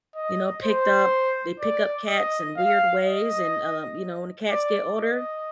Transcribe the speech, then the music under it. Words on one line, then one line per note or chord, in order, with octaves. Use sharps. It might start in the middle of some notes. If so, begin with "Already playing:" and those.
you know, picked up they pick up cats in weird ways, and, u um, you know, when the cats get older,
D#5
C5
D5
D#5
F5
D#5
D5
D#5